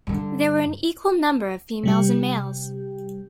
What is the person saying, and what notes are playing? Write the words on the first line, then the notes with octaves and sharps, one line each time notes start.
There were an equal number of females and males.
G2 D3
C3 G3 G4